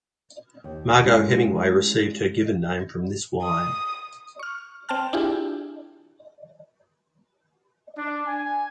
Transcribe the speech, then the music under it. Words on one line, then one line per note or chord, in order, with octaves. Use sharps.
Margaux Hemingway received her given name from this wine.
D#2
G#3 A3 C#4 E4 F4 A#4
D#6
C#6 F6
C4 G5 A5 F6
D4 E4 F4 G4 G#4
D4
G#5